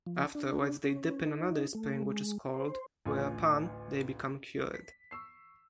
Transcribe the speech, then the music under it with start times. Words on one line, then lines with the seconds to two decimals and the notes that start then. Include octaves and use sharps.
Afterwards they dip in another spring which is cold, whereupon...they become cured.
0.06 F3
0.35 D4
0.84 C#4
1.26 D#4
1.75 A3
2.03 G#3
2.54 C5
3.06 A1 D2 F4 G#5
4.74 B6
5.11 C#6 E6 C7